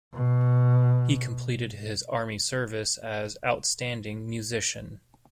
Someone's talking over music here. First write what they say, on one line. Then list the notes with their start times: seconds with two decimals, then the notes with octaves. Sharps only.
He completed his army service as "outstanding musician".
0.13 B2